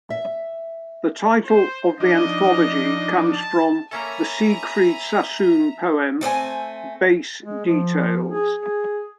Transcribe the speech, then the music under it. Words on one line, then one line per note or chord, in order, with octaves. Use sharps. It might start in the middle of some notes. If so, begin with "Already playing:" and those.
The title of the anthology comes from the Siegfried Sassoon poem Base Details.
E5
C5
F3 D4 D#4 D#5
A5
A#3 C#4 A4 E5 G#5 A#5 B5
A3 C4 D#5 G#5
G#3
F3
G#4
G#4